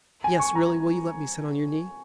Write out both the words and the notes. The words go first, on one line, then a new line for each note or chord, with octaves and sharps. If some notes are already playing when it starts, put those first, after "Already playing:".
Yes, really, will you let me sit on your knee?
G#5
C#6
A#5